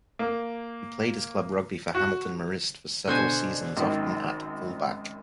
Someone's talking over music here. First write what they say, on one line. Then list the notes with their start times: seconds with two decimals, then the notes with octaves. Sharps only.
He played his club rugby for Hamilton Marist for several seasons, often at fullback.
0.19 A#3
1.95 F#4
3.07 B2 D3 F#4 C5 G#5
3.77 G#1 F#2 D#3